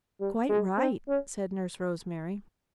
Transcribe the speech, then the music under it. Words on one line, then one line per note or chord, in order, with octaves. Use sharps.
"Quite right," said Nurse Rosemary.
G3
G#3
C4
C#4